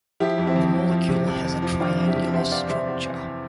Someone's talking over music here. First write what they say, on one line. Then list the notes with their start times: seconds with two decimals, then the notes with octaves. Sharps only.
The molecule has a triangular structure.
0.20 F3 E4 G4
0.38 F2
0.47 C4 E4
0.56 F2
0.74 F2
0.92 F3
1.09 C3
1.27 F2
1.45 F2
1.62 F3
1.80 F2 D4 F4
1.98 F2
2.07 E4 G4
2.16 C3
2.33 E2 C5 E5
2.51 E2 D5 F5
2.69 C3 C5 E5
2.87 E2
3.05 E3